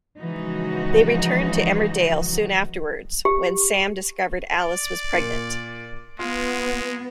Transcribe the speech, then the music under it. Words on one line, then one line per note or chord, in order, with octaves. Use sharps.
They returned to Emmerdale soon afterwards, when Sam discovered Alice was pregnant.
C#3 E3 F3 G#3 D#4 F#4
G4
D5
A#2 C#7
G#3 B3 F4